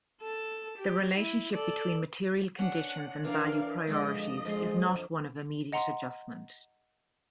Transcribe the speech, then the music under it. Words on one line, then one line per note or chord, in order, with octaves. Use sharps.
The relationship between material conditions and value priorities is not one of immediate adjustment.
A4 A5
G4
E4
A4 D5
C#4 D4 F#5
E3 D4 A#4 D5 F5
F2 D3 G#3 D5 D#5
F3 G#3 C6
D#5 F#5 A#5 C6